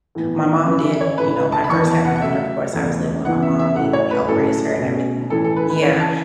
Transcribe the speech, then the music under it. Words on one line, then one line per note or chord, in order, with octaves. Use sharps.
my mom did you know, when I first had my daughter, of course, I was living with my mom, we helped raise her and everything. Yeah.
A2 E3 B3
C#3 E3 C#4 B4
E5
C#5
A2 A3 C#4 B4
B4
A5
B5
E2 E3 B3 C#6
A5
F#5
F#5
C#3 F#3 A3 E5
E2 C#3 A3
E2 E3 B3 F#5
E5
E5
A2 F#3 A3 C#4 F#5
C#5
B4
A2 F#3 C#4 A4
B2 A3 C#4
A2 E3 C#4 A4
A4
B4
B4
C#3 E3 C#4 C#5
A5